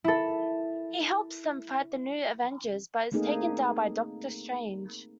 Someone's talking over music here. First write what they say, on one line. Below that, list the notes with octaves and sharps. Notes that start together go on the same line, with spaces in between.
He helps them fight the New Avengers, but is taken down by Doctor Strange.
E4 A4
A3 A#3 C4 D#4 G#4 A#4